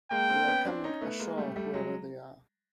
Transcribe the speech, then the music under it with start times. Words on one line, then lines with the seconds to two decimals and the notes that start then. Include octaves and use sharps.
They are coming ashore, whoever they are.
0.11 G#3 A#3 G5
0.29 A#3 C4
0.48 B3 C#4
0.65 C4 D4
0.84 C#4 D#4
1.01 A3 B3
1.19 G#3 A#3
1.37 G3 A3
1.56 G3 A3
1.74 F#3 G#3